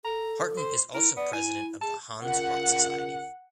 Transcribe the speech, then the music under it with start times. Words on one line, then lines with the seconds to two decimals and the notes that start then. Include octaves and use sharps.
Harten is also President of the Hans Rott Society.
0.04 A4 A#5
0.57 C5
0.94 E4 A#4
1.16 B3 D5
1.33 E4 G#5
1.81 G#4 A5
2.23 C#3 F4 A#4 F#5